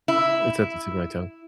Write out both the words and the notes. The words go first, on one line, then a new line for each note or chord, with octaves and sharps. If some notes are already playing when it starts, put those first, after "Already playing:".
it's at the tip of my tongue.
E4